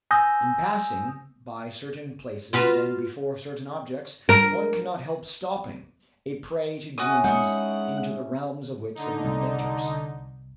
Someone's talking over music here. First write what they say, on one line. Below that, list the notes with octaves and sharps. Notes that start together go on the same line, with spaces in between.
In passing by certain places and before certain objects one cannot help stopping--a prey to dreams into the realms of which the mind enters.
G#5 D#6 E6 G6 A#6
F4 F#4 B4
A#4
C#4 E4 F#4 D#6
G#3 D#4 F#5 C#6
D3 D#4
C2